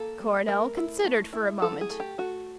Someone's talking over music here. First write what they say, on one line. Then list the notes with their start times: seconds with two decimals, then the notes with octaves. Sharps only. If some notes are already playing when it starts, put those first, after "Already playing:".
Coronel considered for a moment.
Already playing: A#3 A4
0.19 G3
0.48 A3 A#4
0.77 E4
1.04 A3
1.33 E4
1.61 F#3 A4
1.81 G#4
1.90 A3
2.00 G4
2.18 A3 F#4